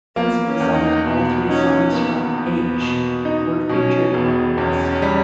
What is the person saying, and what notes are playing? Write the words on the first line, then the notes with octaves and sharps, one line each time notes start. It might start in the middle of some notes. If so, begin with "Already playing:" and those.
As a result, all three songs from "H" were featured on the list.
A#3 B3
C#4
E2
D#4
B2 B3
C#4 D#4
A#3 B3
E2
B2
D#4
B2 C#4
E1 B3
E2 C#4
C#4
G3